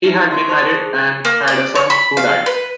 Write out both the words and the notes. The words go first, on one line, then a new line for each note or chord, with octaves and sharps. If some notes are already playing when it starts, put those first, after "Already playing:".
He had been married and had a son, who died.
D#4 E4 E5
D5 C6 C#6 G#6
C5 A5 D#6 F#6
G#4
A#3
D5
C#5
B5
F5
B4